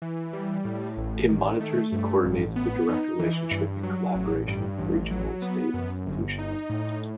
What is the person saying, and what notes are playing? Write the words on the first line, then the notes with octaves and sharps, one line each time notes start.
It monitors and coordinates the direct relationship and collaboration with regional and state institutions.
E3
G3
A2
A1
D#3
A3
G2
A1
B3
D#4
E3
G2
F#3
A1
G2
A1
F#3
B3
F#2
G1
D#4
A2